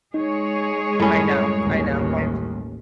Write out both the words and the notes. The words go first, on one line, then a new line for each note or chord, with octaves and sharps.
I know, I know, my f
G#3 D#4 G#4 C#5
F#2 A2 G3 C#4 B5
A1 D#2